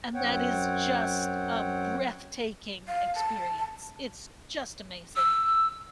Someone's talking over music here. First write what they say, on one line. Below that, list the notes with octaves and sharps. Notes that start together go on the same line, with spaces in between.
And that is just a breathtaking experience, it's just amazing!
F#2 C4 C#5 F#5 G5
F5
A5
E6